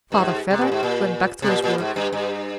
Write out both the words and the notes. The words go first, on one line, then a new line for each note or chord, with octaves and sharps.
Father Vedder went back to his work.
G2
G#2
C3
A#2
G#2
A#2
C3
A#2
A#2
G#2
G2
G2